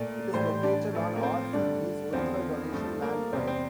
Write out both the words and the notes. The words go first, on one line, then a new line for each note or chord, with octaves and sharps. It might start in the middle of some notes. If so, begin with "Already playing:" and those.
It is located on R. C. Geer's original Donation Land Claim.
Already playing: A#2 A3 D5
A2 E3 G3 C5
D4
A2 F3 A3
A#3
C4
G2 D3 A3 D4
E2 D3 F3 C4
G2 F3 A3
A#3
E2 C3 G3 C4
C4